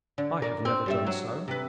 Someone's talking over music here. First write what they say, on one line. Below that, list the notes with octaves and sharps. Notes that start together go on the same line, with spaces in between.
"I have never done so."
D3
A#4 D5
C4
G2 G3 E5
F#3
C3 B4